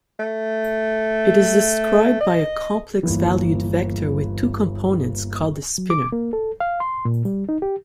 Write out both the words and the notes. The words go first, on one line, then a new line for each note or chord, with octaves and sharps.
It is described by a complex-valued vector with two components called a spinor.
A3
D#5
G1 D#2 E3
F#3
D6
A#3
A4
F5
C6
A#2
G3
D#4
G4